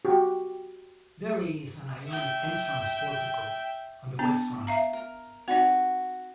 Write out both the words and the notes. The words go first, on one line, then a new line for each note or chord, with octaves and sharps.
There is an Ionic entrance portico on the west front.
F#4 G4
E5 G5
B3 D4 A5
E5 F5 A#5
A#4
C4 D#4 F#4 D5